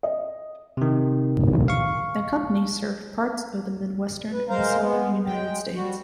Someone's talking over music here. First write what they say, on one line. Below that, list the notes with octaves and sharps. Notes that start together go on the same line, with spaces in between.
The company served parts of the Midwestern and Southern United States.
D#5
C3 D#3
F5 C#6
B4
G#3 A#4 C5 F5 A#5
G#3 B3
G#3 G5
G3 F#4